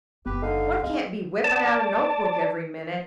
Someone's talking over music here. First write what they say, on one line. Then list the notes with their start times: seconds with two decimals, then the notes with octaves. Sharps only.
One can't be whipping out a note-book every minute.
0.26 F#1 G#3 B3 G4 B4
0.43 D3 D#4 A4 F5
0.83 G#3 C4 F5
1.44 D5 A5